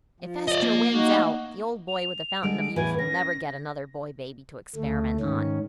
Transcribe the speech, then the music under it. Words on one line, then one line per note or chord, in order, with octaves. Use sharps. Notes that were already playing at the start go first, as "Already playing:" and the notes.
"If Estra wins out, the old boy with the fountain of youth will never get another boy baby to experiment on!"
F3
D5 D#5
A#3
D#4 F#4
F7
D3 G3 G#3 D7
D7
E2 A2 E3 G#5
C#4 A#6
D2 A3
G#2 D#3 C#4